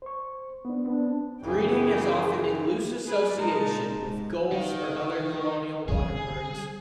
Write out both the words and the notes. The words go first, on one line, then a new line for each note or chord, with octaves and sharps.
Breeding is often in loose association with gulls or other colonial water birds.
C5 C#6
B3 D4
B3 C4 D4 B4
F#2 C#3 E3 G#4 G5
G#4 B4 D5
A#2 G#3 D#4 A#4 A5
G#2
D#3 B4 F5 F#5
D3 G3 G#4